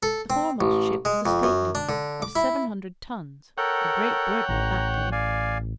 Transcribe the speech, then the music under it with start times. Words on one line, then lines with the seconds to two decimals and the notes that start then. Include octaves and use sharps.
The foremost ship was a stately one, of seven hundred tons, a great burden at that day.
0.03 A4
0.30 C4
0.61 A1
1.05 G#3
1.26 F2
1.43 F#2
1.75 D4
1.89 D3
2.22 D6
2.36 E4
3.58 A4 A#4 C#5 F#5 G5
4.49 A1 A#5
5.12 D5 F5 G#5